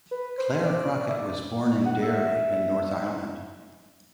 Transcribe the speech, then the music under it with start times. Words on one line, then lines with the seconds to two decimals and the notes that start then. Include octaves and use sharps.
Clare Crockett was born in Derry in Northern Ireland.
0.11 B4
0.38 C5
0.64 D5
1.08 E5
1.15 D5
1.85 F#5
2.02 E5